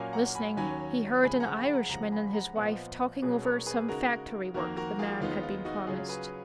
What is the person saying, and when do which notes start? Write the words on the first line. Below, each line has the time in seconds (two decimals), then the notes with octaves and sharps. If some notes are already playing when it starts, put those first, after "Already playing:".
Listening, he heard an Irishman and his wife talking over some factory work the man had been promised.
Already playing: A#2 F#3 A#3 C#4 F5 G#5
0.13 F#5 A#5
0.35 G#5 B5
0.57 D#2 D#3 F#3 C#4 G#5 B5
1.24 C#3 F3 G#3 G#5 B5
1.40 F#5 A#5
1.56 G#5 B5
1.73 F#5 A#5
1.89 C#2 C#3 F3 G#3 F#5 A#5
2.11 G#5 B5
2.27 B5
2.33 F#5 A#5
2.55 A#2 F3 B3 D#5 F#5
3.22 B2 F#3 C#4 G#4 B4
3.44 A#4 C#5
3.66 G#4 B4
3.88 C#3 G#3 D#4 F#4 A#4
4.54 F2 D#3 A#3 F#4 A#4
4.77 F#4 A#4
4.99 F4 G#4
5.21 D#2 D#3 G#3 B3 D#4 F4
5.43 F4
5.65 D#4 F#4
5.87 C#3 F#3 C#4 F4 G#4
6.09 G#4 B4